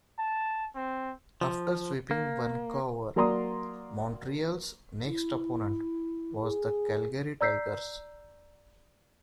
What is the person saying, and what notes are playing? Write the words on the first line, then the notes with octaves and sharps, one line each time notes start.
After sweeping Vancouver, Montreal's next opponent was the Calgary Tigers.
A5
C4
F3
A#3
F#3 A#3 D5 A#5 C6 D#6
E4
G#4
D5 A#5 E6 G6 B6 C7